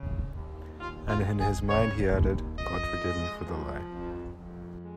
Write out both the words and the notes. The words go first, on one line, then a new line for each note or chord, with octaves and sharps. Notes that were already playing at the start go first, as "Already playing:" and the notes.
And in his mind he added: "God forgive me for the lie."
Already playing: C#3
D#2
D#2 F4
F4
G#3
G#4
C#3 C#5
D#2
F2 D#5
G#3
F3
F2
F2
G#3